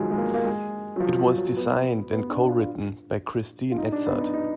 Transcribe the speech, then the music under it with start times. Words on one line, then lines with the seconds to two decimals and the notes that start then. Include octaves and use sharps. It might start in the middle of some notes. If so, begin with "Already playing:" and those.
It was designed and co-written by Christine Edzard.
Already playing: D#3 F3 F#3 G#3
0.11 G#3
0.17 A#3
0.34 A#3
0.45 G#3
0.96 F#3
1.00 F3
1.19 F#3
1.38 F#3
1.56 B3
2.12 B3
2.30 D4
2.49 F4
3.72 F4
3.78 D#4
3.92 D4
4.06 B3
4.20 D#4
4.34 D#4